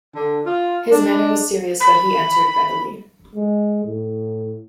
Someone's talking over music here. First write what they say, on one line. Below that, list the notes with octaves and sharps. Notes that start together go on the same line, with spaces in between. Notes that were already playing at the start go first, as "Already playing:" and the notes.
His manner was serious, but he answered readily.
D3
F4
D4
B5
G#3
A2